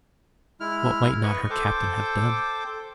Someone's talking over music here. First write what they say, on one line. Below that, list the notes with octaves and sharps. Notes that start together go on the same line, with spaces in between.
What might not her Captain have done?
G#3 E4 F6
B4 D#5 C#6
A4 C5 G5 D6